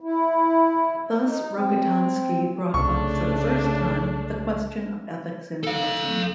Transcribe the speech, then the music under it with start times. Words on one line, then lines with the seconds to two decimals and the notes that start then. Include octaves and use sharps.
Thus Rokitansky brought up for the first time the question of ethics in medicine.
0.01 E4
1.23 D#4
1.55 C4
2.74 C2 C#3 A3 D4 C#6
5.64 A4 F5